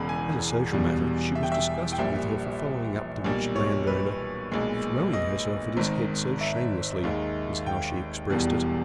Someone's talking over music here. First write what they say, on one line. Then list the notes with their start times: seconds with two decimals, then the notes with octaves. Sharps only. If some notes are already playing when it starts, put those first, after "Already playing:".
As a social matter, she was disgusted with her for following up the rich landowner--"throwing herself at his head so shamelessly," was how she expressed it.
Already playing: E1 E2 C#3 G#3 B5
0.09 G#5
0.72 E1 E2 B2 G3
1.35 E5
1.43 G5
1.52 E5
1.92 G5
1.98 A#1 A#2 G3 E5
3.24 B1 A#2 G3
3.56 C#5
3.87 B4
4.51 B1 A#2 G#3
5.13 D#5
5.77 G#1 G#2 D#3
6.41 E5
7.03 D#2 D#3 G#3
7.66 G5
8.30 E1 E2 B2 G3